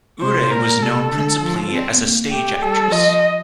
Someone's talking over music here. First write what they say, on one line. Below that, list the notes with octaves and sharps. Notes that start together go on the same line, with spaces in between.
Ure was known principally as a stage actress.
C3 C5
A#2 A#4
C3 A4
D3
F3
C4
A#3
A3 G4
G3 A4
F3 D#5